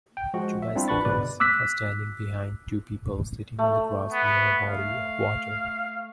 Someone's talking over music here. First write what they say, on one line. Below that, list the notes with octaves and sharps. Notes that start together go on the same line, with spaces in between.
Two bicycles are standing behind two people sitting on the grass near a body of water.
G5
F3 G#3 F#4
E5
G3 C4 D4 E4 F4
A#1 D4 B4 B5 C#6 A6
G1 B2 B4 D5
D6 E6 F#6 B6
A3
B3
F5